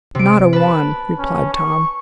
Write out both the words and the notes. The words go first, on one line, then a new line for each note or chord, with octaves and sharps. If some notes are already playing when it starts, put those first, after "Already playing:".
"Not a one," replied Tom.
C3 D7
B4 A5
C#4
C#6